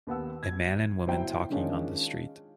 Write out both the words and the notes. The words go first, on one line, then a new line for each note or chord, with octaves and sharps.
A man and woman talking on the street.
D#2 B3 F#5 E6
G#6
G1 F#3 E4 C5 G5 A#5
D#3 G#3 C#4 D4 F4 D#5